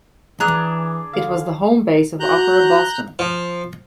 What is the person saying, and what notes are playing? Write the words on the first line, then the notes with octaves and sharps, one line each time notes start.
It was the home base of Opera Boston.
E3 D4 G#4 A#5 F#6
D3 F5
F#4 A#5 F#6 G6
F3